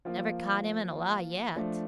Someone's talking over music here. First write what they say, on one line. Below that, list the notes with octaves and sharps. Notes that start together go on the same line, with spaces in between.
Never caught him in a lie yet.
F3 A#3 F4
F3 A3 D4